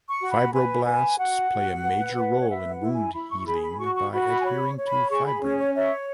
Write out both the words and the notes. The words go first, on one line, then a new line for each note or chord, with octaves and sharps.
Fibroblasts play a major role in wound healing by adhering to fibrin.
C#6
F#4
B5
B4 G#5
B4 G#5
F#4 F#5
F#4
B4
B4
C#5
B4 E5
F#5
E4
G#5
E4 B5
C#6
G#4 B5
B5
F#4 C#6
C#6
F#4 B5
B5
G#5
C#5 B5
C#5
B5
G#4 C#6
B5
C#4 C#5
C#5
C#5 E5